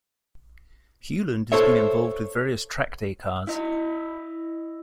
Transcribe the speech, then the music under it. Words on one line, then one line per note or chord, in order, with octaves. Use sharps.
Hewland has been involved with various track day cars.
A4 C5 C#5 E5
E4 D#5